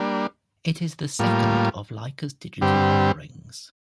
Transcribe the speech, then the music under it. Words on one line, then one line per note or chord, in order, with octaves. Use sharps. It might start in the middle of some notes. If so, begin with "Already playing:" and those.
It is the second of Leica's digital offerings.
Already playing: G3 A#3 D4
A2 G3 A#3 F4
G2 D3 G3 C4 G4